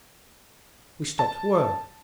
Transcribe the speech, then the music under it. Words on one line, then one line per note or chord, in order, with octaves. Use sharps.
We stopped work.
A5